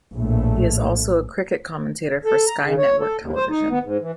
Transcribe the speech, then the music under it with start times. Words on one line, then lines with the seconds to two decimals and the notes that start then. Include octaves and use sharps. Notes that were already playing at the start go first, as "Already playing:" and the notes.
He is also a cricket commentator for Sky Network Television.
0.14 A#1 A2 A3
2.25 A4
2.46 A#5
2.63 C#3
2.78 C#5
2.99 A4
3.21 D#2
3.36 C5
3.50 D#4
3.70 B3
3.84 G#2
4.01 E3